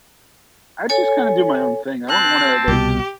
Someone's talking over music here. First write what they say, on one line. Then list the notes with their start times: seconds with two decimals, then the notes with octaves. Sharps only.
I just kinda do my own thing. I wouldn't wanna, like
0.89 A4 C#5 G#5
2.09 C4 A5 F#6
2.68 C2 B2 G4